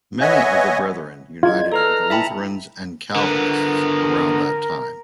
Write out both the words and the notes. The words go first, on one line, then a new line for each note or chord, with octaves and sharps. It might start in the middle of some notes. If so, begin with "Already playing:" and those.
Many of the Brethren united with the Lutherans and Calvinists around that time.
B4 C#5 D#5 E5 F#5 G#5
E4 F4 G#4 D#5 G#6
D5 D#5
A4 B4 A#5 F6
E4 E5 G5 A5 B5
D3 B3 A#4